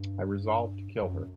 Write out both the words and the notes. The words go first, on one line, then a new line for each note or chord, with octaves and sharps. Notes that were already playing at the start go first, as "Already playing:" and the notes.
I resolved to kill her.
Already playing: G2
F#2